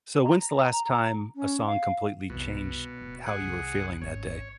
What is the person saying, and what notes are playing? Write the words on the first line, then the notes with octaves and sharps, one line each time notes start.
So when's the last time a song completely changed how you were feeling that day?
A#5
C#4
F5
C2 F#2 B2
D1
F#2 G#4 F#5
C2 D#3
G#1 C#4 C#5